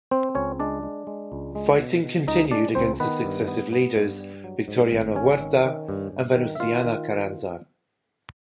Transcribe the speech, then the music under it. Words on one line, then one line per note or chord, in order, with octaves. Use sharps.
Fighting continued against the successive leaders Victoriano Huerta and Venustiano Carranza.
C4 C5
C#2 C#4 C#5
G#3 D4 D5
G#3
G#3
C#2
G#3
B2
B2
C#2 D#4 D#5
G#3 D4 D5
C#2 C4 C5
D#3 B3 B4
G2
B3
B3
G2
G3
F#3
G#2
G#1
G#1 C#4 C#5
D#3
D#3
G2
G2
D#3
E5
D#3 F4 F5
D#3